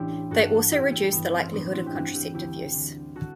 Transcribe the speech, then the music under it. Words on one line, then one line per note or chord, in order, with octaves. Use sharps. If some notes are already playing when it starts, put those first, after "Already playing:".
They also reduce the likelihood of contraceptive use.
Already playing: A1 E3 D4 E4 G4
G2 E3 F#4 A4
A1 E4 G4
E4 G4
G2 E3 B3
C4
C4
A1 B3 D4
F#4
C4 E4
G4
G2 E3 D4 F#4
E4 G4
D2 E4 G4
D3
F#4 A4